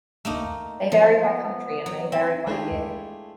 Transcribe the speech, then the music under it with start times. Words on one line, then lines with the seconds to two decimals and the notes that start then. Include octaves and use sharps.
They vary by country and may vary by year.
0.25 A3 A#3 D#4
0.92 F3
1.18 B3
1.86 F#3
2.12 C4 E4
2.47 G#3 A3 D4 E4 F4 G4 G#4